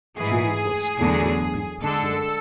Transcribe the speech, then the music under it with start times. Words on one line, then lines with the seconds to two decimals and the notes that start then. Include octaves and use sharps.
Fuel was scarcely to be procured.
0.17 G#2 E3 A3 G#4
1.00 E2 D3 F#3 A3 D4
1.83 D3 G#3 D4 A4